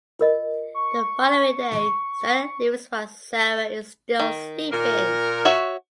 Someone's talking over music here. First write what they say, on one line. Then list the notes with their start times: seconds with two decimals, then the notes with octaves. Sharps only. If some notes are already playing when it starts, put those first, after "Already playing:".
The following day Stella leaves while Sarah is still sleeping.
0.19 F4 A#4 D#5
0.75 C#6
4.20 D#3
4.71 A#2 A#4
5.45 F#4 C#5 E5